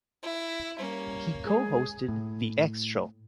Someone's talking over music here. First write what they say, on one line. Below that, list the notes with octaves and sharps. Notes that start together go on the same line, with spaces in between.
He co-hosted "The X Show".
E4
G3 A#3 C#4
G#3 G#4
A2